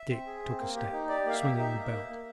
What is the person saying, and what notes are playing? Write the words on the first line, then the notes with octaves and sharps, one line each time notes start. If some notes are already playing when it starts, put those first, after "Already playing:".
Dick took a step, swinging the belt.
Already playing: E5
C4
G#4
C4
A#3
G4
D#4
G4 D5
A#3 F5
E5
G4
D#4 E5
A#3
A#3
A#3